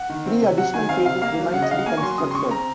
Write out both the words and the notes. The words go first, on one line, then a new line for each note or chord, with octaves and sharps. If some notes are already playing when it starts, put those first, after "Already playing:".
Three additional phases remain to be constructed.
Already playing: F#5
D#3
C4
C3
F#3 F#5
D#3 G#5
C4 F5
C3 F5
A#3 F5
F#3
C#3 F#5
D#5
C#3 F5
F#5
A#3 G#5
C#6
F#3 C6
C#3 D#6
C6
C#3 C#6
C4 A#5